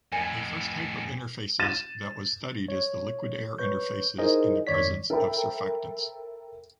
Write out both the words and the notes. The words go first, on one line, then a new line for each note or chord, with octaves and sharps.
A first type of interfaces that was studied is the liquid-air interfaces in the presence of surfactants.
F2 A2 G#5
A6 D#7 E7
C#5
B4 C#5 C#6 G6
D#4 E4 G#4 A#4 C5 D#5
F2 D#3 C#5 D5 B6
A4 A#4 C5 E5 G5 B5